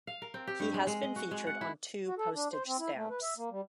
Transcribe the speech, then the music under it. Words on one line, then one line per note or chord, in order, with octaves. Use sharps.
He has been featured on two postage stamps.
F5
A#4
C4
G4
G2
G#3
G#3
D#5
F#4
G#3
F#5
E4
F#4
A4
D4
C5
C4
E4
A3
B4
E5
A#3
G3